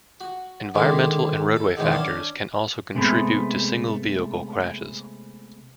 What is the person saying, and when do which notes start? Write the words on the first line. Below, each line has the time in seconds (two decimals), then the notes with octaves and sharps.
Environmental and roadway factors can also contribute to single-vehicle crashes.
0.21 F#4
0.74 D3 D#3 G#3 A#3 D4
1.56 A4
1.77 G#2 B2 D#3 E3 F#3 G#3
1.92 C#4 D4 A5
2.95 C3 G#3 A3 B3